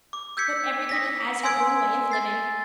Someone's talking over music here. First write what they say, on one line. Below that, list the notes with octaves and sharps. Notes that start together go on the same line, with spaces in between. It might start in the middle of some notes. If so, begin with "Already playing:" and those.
But everybody has her own way of living . . .
D6
E6 G6 G#6 B6 C#7
D#6 A#6 B6
G#5 C6 E6 G#6 D7
A6 C7